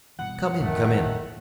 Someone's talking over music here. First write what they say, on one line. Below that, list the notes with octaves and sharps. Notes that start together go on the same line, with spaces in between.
Come in, come in.
G2 B2 E3 F#5
A#1 F#2 D#3 A3